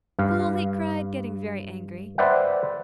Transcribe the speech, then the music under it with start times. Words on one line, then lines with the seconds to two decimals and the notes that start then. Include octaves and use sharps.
'Fool!' he cried, getting very angry.
0.19 G2 F5
2.18 B4 C5 D5 E5 F#5 G5